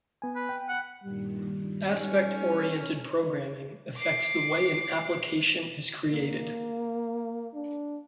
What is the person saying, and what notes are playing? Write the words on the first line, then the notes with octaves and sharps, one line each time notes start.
Aspect oriented programming affects the way an application is created.
B3 G#5
B4
G5
F#5
G2 A#2 D#3 G3
C#4 D#4 A4 C#5
D6 C7
A#3
D4